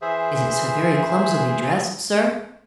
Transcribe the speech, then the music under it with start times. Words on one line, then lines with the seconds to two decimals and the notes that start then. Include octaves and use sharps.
"Is it so very clumsily dressed, sir?"
0.02 E3 G#4 C5 E5